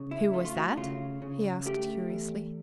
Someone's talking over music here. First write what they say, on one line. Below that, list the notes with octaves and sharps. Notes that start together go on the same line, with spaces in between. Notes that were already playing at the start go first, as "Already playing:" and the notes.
"Who was that?" he asked curiously.
Already playing: C#3
E4
A3 F4
F4
F#4
C#3 F4
C#3
A3 G4
E2